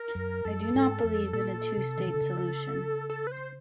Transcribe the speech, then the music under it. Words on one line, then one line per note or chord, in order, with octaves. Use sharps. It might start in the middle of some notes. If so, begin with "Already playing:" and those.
I do not believe in a two-state solution.
Already playing: A#4
F#2
F#2 A4
G#2
F2
A#2 A4
C3
E3
D#3
D3
C#3
A4
B4
C5